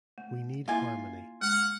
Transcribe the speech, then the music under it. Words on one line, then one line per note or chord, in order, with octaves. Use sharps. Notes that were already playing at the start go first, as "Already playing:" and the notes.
We need harmony.
A3
A#3 E4 F4 E5 G#5
G#3 F#5 F6